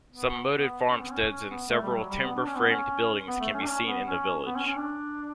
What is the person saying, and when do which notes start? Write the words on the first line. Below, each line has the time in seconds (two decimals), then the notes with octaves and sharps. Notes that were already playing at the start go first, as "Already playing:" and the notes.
Some moated farmsteads and several timber-framed buildings can be seen in the village.
0.12 B3
0.51 B3
0.90 C#4
1.01 B3
1.12 C#4
1.30 C#4
1.50 B3
1.70 A3
1.83 G3
1.96 F#3
2.09 G3
2.23 B3
2.36 D4
2.46 C#4
2.58 B3
2.69 C#4
3.28 B3
3.41 A3
3.54 C#4
3.62 D4
3.67 C#4
3.87 B3
4.07 C#4
4.46 B3
4.56 C#4
4.66 C#4
4.76 D4